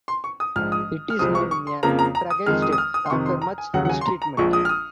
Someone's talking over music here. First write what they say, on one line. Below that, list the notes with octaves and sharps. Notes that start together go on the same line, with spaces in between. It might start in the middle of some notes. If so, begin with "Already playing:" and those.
It is now in a fragile state after much mistreatment.
C6
C#6
D#6
A#1 G#2 F3 F6
D#6
F6
C2 C3 F3 G#3 C4 D#6
C#6
C#6
C6
F2 C#3 F3 A#3 A#5
A#5
A#5
D#6
F2 D#3 G#3 F6
D#6
D#6
F6
D#6
C6
F2 C3 D#3 C#6
C6
A#5
G#5
D#2 C#3 F#3 F#5
F#5
G#5
C6
A#5
A#5
A#1 A#2 F3 G#3 C#6
D#6
F6
D#6